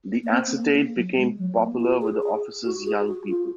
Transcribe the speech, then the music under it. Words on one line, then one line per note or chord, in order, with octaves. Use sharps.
The acetate became popular with the office's young people.
A#3
C4
A#3
A#3
F#3
G#3
F#3
A#3
F4
G#4
G#4
F#4
G#4
F#4
F4